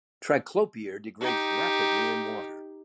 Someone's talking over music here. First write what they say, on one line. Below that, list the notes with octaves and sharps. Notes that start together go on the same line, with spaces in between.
Triclopyr degrades rapidly in water.
D#4 G4